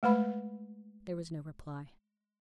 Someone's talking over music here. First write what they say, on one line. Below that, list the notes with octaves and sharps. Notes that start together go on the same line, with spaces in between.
There was no reply.
G#3 A3 B4 B5